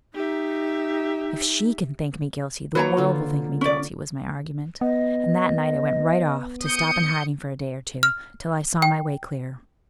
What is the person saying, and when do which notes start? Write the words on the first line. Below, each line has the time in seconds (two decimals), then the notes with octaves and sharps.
'If she can think me guilty, the world will think me guilty,' was my argument; and that night I went right off, to stop in hiding for a day or two, till I saw my way clear.
0.14 D#4 G4 E5
2.75 F#3 A#3 B4 C#5 A#5
2.97 D3 F4
3.61 C#4 D5
4.81 B3 D#5
6.64 D#6 G6 C#7
8.03 F6
8.82 G5